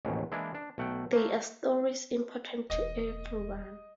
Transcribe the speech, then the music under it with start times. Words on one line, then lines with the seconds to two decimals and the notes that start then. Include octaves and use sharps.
They are stories important to everyone.
0.05 A1 D#2 G#2 B2
0.32 E3 G#3 A#3 D4 E4
0.55 D4
0.78 B1 A3 F#5 G5
1.13 A3 A#3
2.70 E1 E2 D#5